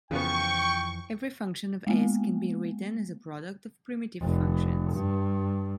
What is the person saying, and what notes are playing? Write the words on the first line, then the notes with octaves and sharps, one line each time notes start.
Every function of "S" can be written as a product of primitive functions.
F2 C#3 E3 F3 B3 G5 C#6
G#3 A#3 B3
F1
G2